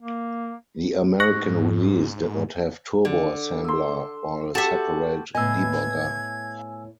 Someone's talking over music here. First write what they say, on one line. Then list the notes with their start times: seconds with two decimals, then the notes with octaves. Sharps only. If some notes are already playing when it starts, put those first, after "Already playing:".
The American release did not have Turbo Assembler or a separate debugger.
0.01 A#3
1.20 G#2 C#6 F#6 A#6
3.05 D3
3.64 E5 C6
4.55 F#4 G4 A4 E5 A5
5.35 A2 B3 D#5 G#5 E6 G#6